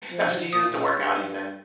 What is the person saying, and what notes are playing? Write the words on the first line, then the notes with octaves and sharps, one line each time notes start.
That's what you use to work out, you said?
F3
A#2 D#6
G2